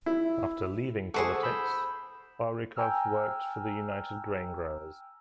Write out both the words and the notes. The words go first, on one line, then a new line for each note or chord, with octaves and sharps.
After leaving politics, Wawrykow worked for the United Grain Growers.
E4
G#4 A4 C5 F#5 C#6 D6
B5 E6 G6
G5 G#5 A#5 E6 F6